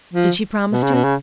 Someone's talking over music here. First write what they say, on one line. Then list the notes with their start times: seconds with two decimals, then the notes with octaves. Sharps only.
"Did she promise to?"
0.14 F3
0.72 B2
0.83 C#3
0.94 B2
1.04 C#3